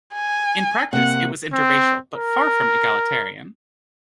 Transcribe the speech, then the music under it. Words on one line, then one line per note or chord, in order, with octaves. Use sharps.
In practice, it was interracial, but far from egalitarian.
G#5
C3 A#3 F#5
C4
A#4